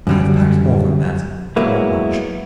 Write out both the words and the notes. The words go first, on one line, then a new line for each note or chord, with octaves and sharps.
I have packed more than that, but not much.
F#2 D3 G3
F#3 G#3 A#3 B3 E4